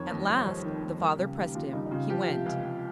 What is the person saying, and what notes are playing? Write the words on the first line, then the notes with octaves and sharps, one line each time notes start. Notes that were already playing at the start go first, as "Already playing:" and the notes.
At last--the father pressed him--he went.
Already playing: F2 D#3 C#5
D#2
G3
C#5
F1 C5
D#3
D#2
G3 A#4
C#3 G4
D#2 G4
D#2 F4
G3 D#4
D#4
C#3 F4
F3 G4
C3 F5
C#2 F5
C#2